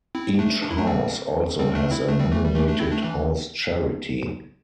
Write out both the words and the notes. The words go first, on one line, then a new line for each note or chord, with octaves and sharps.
Each house also has a nominated house charity.
C4 E4
A3 D4
D4
E4
A3 D4
G3 C4
G3 C4
A3 D4
C4 E4
A3 D4
G3 C4
E3 A3
G3
E3 A3
A3 D4
C4 E4
A3 D4
E3